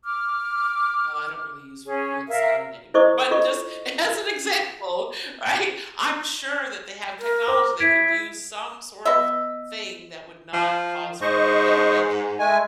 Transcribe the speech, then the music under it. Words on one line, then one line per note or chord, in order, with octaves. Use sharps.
well, I don't really use f wood siding anymore, but just as an example, right, I'm sure that they have technology they could use some sort of thing that would not cause further damage,
D6 F6
C#4 G#4
A#4 E5 F5
E4 A4 C5 D#5 C#6 D#6
F4 A4 D#5 C#6
A#4
C5 D6
E4 G#6 B6 D7
B3 D#5 E5
F3
G#2 C5 D#5 C#6
G#3 A3 G#5